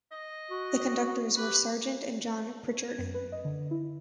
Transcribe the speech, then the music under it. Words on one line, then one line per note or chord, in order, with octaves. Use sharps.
The conductors were Sargent and John Pritchard.
D#5
F#4
G4 B4
G#6
F#2
B4
D#5
D3
E4